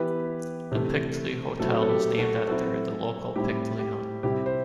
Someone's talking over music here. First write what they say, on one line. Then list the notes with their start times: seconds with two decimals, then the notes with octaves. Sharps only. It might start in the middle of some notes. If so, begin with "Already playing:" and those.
The Pytchley Hotel is named after the local Pytchley hunt.
Already playing: E3 B3 E4 G4 B4
0.72 C3 E3 A3
1.59 B2 F#3 A3 C4 E4 F#4 A4
1.82 A4
1.89 G4
2.18 F#4 A4
2.47 F#3 C4 E4 F#4 A4
3.36 A2 G3 C4 E4 G4
3.79 G4
4.23 C3 G3 C4 E4 G4
4.46 C5